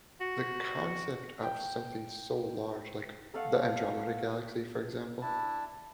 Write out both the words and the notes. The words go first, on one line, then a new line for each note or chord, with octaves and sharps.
the concept of something so large- like the Andromeda galaxy, for example-
F#4
G5
A3 A4 F5 F#5
D4 E4 A5